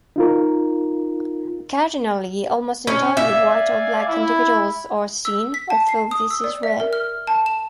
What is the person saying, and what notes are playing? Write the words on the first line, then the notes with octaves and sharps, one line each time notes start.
Occasionally almost entirely white or black individuals are seen, although this is rare.
D#4 F4 A#4
C#4
D5 E5 F5 G#5
E4
E6
B6
A5
C7
D#6
E6
D5
E5
A#4
F6
A5
E7